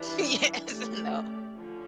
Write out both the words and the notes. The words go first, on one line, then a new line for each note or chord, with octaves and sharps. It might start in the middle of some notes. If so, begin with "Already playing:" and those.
Yes. No.
Already playing: E3 G3 D4
A3 C#4 G4 D5
D3 F3 C#4